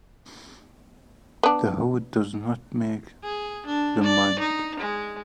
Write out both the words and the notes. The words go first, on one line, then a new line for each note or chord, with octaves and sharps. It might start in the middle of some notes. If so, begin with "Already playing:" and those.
The hood does not make the monk.
B3 D4
G#4
D4
D5
D#4
G#3